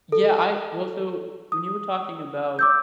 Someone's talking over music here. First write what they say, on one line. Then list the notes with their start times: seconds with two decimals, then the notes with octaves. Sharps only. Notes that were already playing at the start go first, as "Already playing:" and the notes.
Yeah, I well, so, when you were talking about
0.12 A4
1.52 D#6
2.59 D6 E6 G6